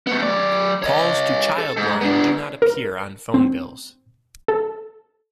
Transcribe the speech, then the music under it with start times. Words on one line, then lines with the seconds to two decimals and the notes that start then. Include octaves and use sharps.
Calls to Childline do not appear on phone bills.
0.07 A3 B3
0.22 F#3 D5
0.82 C#5 D#5
1.58 A4
1.77 G#2
2.01 B3 D4
2.62 A#4
3.34 C4
4.48 A4